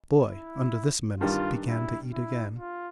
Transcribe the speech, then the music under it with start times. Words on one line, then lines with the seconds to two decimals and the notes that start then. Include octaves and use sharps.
The boy, under this menace, began to eat again.
0.28 E4
1.20 G2 D#3 G3 F4
1.66 E4
2.13 E4
2.58 F4